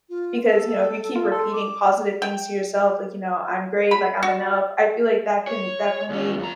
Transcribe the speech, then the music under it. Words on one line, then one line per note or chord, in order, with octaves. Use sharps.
because, you know, if you keep repeating positive things to yourself, like, you know, "I'm great," like, "I'm enough," I feel like that can definitely
F4
A4
F4
A4 C6
D6
G5
B5
F#4
C#5
D#2 C#4
F2 A#5